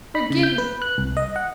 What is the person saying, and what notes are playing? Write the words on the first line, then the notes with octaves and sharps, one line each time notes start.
Forgive me!
B5
C#3
G6
B4
F#6
C2
D#5
F#5